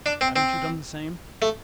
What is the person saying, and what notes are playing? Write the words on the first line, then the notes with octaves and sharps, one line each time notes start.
Haven't you done the same?
D4
C4
C4
A3